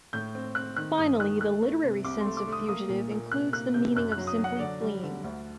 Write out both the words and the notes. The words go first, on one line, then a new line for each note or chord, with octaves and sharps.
Finally, the literary sense of "fugitive" includes the meaning of simply "fleeing".
A2 G6
C4
C4 F#6
D#3 F#6
G2 D#6
D#3 F#6
A3 F#6
A3
C3
C2 D6
A3 C6
D6
A3
D#6
A#3 D#6
A#2
A#2
C3 F#6
A#3 F#6
C3 G6
F#2 F#6
F#6
F#3
D#6
F#3
F#5
D3 D5
G3
D3
D2